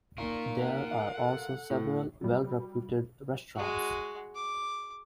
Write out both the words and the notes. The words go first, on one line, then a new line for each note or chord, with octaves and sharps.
There are also several well-reputed restaurants.
A#3 D#4 F4 A#4 F5 C#6
F#5
A4
A2
F#3 G3
G#3 F#4
D6